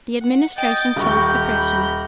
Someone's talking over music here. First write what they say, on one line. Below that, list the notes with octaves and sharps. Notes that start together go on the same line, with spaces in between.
The Administration chose suppression.
F#5
D#5 G5 A6
D#1 A#5 B5 C#6 G6